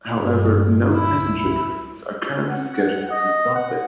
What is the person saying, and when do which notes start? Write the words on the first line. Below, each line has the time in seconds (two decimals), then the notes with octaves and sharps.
However, no passenger trains are currently scheduled to stop there.
0.18 G2
0.93 E4
2.49 F#5
3.10 D#5
3.54 F#5